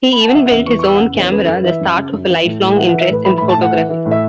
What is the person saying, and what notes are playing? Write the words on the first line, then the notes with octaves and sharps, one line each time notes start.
He even built his own camera, the start of a lifelong interest in photography.
B5
A5
F#5
C#3 E5
F#5
E2 E5
E3 C#6
C#6
E2 E6
F#5
C#3
E2
C#5
C#3 B4
A4
F#2
B4
E3 E5
F#2
C#3
F#2
E3
A2
A2
E3 F#5
F#5
E3
E5
A2 B4
E3 B5
B5
A2
A5
A2 F#5
E3
E3
A2
E5